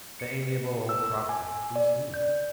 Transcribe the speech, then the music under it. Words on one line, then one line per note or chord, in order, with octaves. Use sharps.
"The amiable old Proctor"--who's he?
C#7
E6
G#5
D5
G6